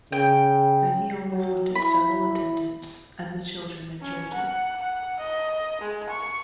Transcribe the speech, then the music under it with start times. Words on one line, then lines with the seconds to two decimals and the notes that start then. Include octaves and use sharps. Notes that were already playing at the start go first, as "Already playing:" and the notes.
Then he always wanted several attendants, and the children enjoyed it.
0.12 C#3 G5
1.30 F#3
1.75 E4 B5
4.01 C#4
4.33 F#5
4.81 F#5
5.19 D#5
5.81 G#3
6.09 C#6